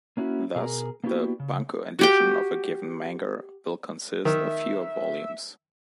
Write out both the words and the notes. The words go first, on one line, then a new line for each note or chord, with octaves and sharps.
Thus, the "bunko" edition of a given manga will consist of fewer volumes.
A#3 C#4 E4 F#4
B2 G#4 A#4
A#3 B3 D4 E4 F#4 G4
C#3
F#4 G4 G5
D#3 E5